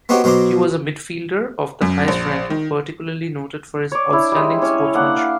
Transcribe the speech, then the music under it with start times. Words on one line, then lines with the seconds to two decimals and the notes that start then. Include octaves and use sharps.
He was a mid-fielder of the highest ranking, particularly noted for his outstanding sportsmanship.
0.09 B3 C4 D#4 F#4 G4 C#5
0.24 B2 F#3 C5 A#5 D6
1.82 F#2
2.08 A#1
2.50 D#3
3.92 C#5 D5
4.10 D4 E4
4.32 G3 G#3
4.62 C#4 C#5
4.94 A#3 D4 F#5
5.17 F5